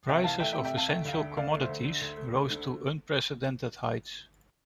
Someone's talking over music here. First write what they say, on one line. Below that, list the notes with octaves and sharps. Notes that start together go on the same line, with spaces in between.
Prices of essential commodities rose to unprecedented heights.
C2 E5 G5
E3 F5 A5
A3 E5 G5
E5 G5
C3
E5 G5
C2 F5 A5
A3 E5 G5
D2 F5
E5 G5
D3
D2 D5 F5
A3
C5 E5
D2
D3
D2
A3
D2
D3